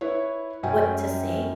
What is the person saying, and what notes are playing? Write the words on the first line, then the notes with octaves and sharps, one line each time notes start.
what to say,
E4 B4 C#5
F#2 C#4 F#4 G5 G#5